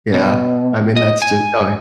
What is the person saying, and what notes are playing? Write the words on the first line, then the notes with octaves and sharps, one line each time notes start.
Yeah, I mean, that's just oh y
B2
D#5
G#5